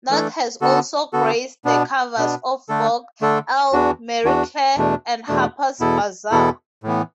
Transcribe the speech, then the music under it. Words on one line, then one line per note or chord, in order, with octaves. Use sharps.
North has also graced the covers of Vogue, Elle, Marie Claire, and Harper's Bazaar.
E3 A3 D4 A4
D3 B3 F#4 A4
D3 B3 F#4 A4
B2 B3 D4
B2 B3 D4
D3 A3 D4 A4
D3 A3 D4 A4
E2 E3 D4 F#4
E2 E3 D4 F#4
E2 B2 A3 D4
E2 B2 A3 D4
E2 B2 B3 E4 A4
E2 B2 B3 E4 A4
A2 E3 B3